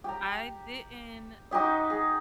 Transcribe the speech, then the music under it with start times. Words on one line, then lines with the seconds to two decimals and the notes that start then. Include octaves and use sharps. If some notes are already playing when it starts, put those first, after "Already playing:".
I didn't
0.04 G4 A#5
1.51 D#4 F#4 G4 D#5
1.90 G#4